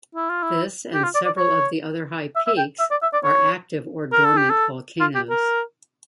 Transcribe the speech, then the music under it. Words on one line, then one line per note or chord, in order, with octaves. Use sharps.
This, and several of the other high peaks, are active or dormant volcanoes.
E4
F4
E4
G4
F4
D5
D5
C#5
E5
E5
G5
E5
D5
E5
D5
C#5
A#4
A4
G4
A4
F4
G4
A#4